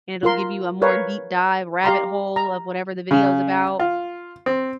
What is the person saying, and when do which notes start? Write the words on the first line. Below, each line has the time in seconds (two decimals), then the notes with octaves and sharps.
and it'll give you a more deep dive rabbit hole of whatever the video is about,
0.23 F4 A#4 C6
0.82 A#4 B4 C#5 F5
1.84 G4 F5 A#5 C6
2.36 A#5
3.11 C#3
3.79 F4
4.46 C4